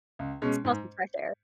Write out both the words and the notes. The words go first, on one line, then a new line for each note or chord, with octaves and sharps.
Smell some fresh air.
C#2
B2 G#3 C#4
G#2